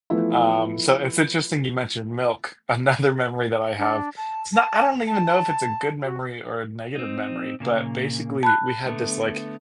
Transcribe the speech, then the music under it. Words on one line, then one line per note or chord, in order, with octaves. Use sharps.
Um, so it's interesting you mentioned milk, another memory that I have it's not I don't even know if it's a good memory or a negative memory, but basically we had this, like,
E3 F3 A3 B3 E4
D4
A5
A5
A5
F#4
C4 D#4
A#2 C#3 A#3
A5 B5 F#6
D3 A3 B3